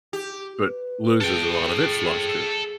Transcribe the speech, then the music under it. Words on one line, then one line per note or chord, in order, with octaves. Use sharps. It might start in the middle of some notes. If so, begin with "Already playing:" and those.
but loses a lot of its luster.
G4
B4
G#4 A4 G5